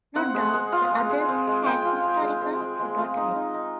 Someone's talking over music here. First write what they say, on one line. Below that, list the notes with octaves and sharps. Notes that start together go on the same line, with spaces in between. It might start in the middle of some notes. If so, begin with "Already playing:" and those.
No doubt the others had historical prototypes.
C4 F#5
G#3
G#3
F4
G#3
G#3
C4
G#3
G#3 G5
F4
G#3
G#3
C4
G#3
G#3
F4
D#4
D#4
D#4